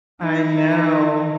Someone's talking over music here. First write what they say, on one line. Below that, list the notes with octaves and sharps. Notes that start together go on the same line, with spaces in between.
I know.
D#4 E4